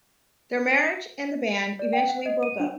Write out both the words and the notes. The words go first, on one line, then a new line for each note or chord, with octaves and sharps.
Their marriage and the band eventually broke up.
D5
G5
F#5
D#5
D#7
D4